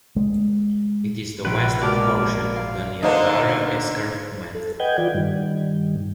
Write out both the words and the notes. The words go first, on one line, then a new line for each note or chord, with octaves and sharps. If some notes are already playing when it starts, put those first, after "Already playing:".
It is the western portion of the Niagara Escarpment.
G#3
A#1 F4 B4 D7
G#3 A#3 B3 F#4 D5 A5 D6 F6
F5
D3 A#3 D4 D#4 B4 C5
A4
B4 D#5 F#5 G5 G6 G#6
E3 F4 D5
G2 D#3 G3